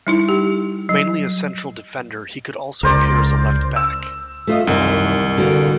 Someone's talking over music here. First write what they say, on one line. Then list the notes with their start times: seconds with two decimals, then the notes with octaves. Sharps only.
Mainly a central defender, he could also appear as a left back.
0.07 G3 D#4 E4
0.29 G4
0.89 F#3
2.83 C#2 A#4 C5 D5
3.76 E6
4.47 A3 F4 D#5
4.67 C2 F#2 D#3
5.38 D3 A#3 F#4